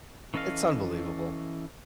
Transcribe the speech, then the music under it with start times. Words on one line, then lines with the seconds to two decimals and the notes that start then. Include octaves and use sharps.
It's unbelievable.
0.34 E3 C#4 A4 D#5 F5